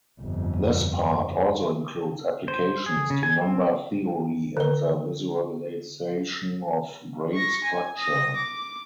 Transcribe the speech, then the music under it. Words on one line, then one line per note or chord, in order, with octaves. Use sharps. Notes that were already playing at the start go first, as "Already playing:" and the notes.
This part also includes applications to number theory and the visualization of brain structure.
G1 F2
C5
G#4
C#3
G#5
C4
D3 B4
C#6 A#6
G#5
D#6 A#6
D6